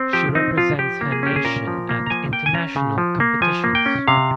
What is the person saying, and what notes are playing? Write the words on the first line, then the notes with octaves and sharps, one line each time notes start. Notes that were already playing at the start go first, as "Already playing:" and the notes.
She represents her nation at international competitions.
Already playing: C4
F3 G4
C4 D#4
F3 F4
F3 G4
A#3
G#4
C#4 G4
G#4
A#2 A#4
F3
A#3
A#5
F3 G#5
A#3 G5
G#5
C#4 A#5
C#3
F3
A#3
F3 G#5
A#3
G5
C#4
C3 F5